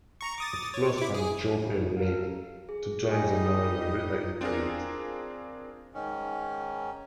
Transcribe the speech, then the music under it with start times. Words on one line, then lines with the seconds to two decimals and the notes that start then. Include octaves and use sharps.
It flows from Joeperry Lake to join the Moira River in Tweed.
0.21 A#5 C#6
0.38 D6 D#6 A6
0.74 C#5
0.97 E4 D6
1.14 G#4
1.61 A1 F#2 A2 C#3
1.96 C#4 F#4 G4 A4 A#4 F5
2.69 G#4
3.10 G3 D#4 D#5 G#5
3.46 D#6
3.82 F4
4.41 C4 D4 F4 G#4 A#4
5.94 G#2 D#3 C#4